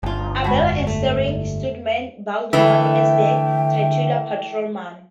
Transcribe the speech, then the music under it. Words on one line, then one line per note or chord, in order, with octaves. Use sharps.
Abella and starring stuntman Baldo Marro as the titular patrolman.
G1 D2 F4
F2 G#3 F#4 B5
A3
D3 E3 A3 E5 G5